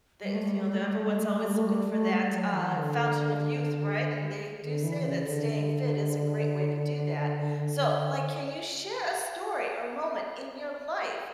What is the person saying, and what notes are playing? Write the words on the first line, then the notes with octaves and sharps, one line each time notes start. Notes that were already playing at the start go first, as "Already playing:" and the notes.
the if, you know, that everyone's always looking for that, uh, fountain of youth. Right? And they do say that staying fit is a great way to do that. So, like, can you share a story or moment in your life
G3
A3
G3
A3
G3
A3
G3
A3
G3
A3
G3
A3
G3
A3
G3
A3
G3
F#3
E3
D3
D3
E3
C#3
D3